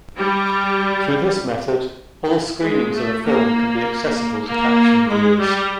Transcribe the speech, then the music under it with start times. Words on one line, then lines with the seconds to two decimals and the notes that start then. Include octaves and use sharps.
Through this method, all screenings of a film can be accessible to caption viewers.
0.18 G3
2.63 G#3
2.94 A3
3.25 A#3
4.47 A#3
5.09 G#3
5.39 G3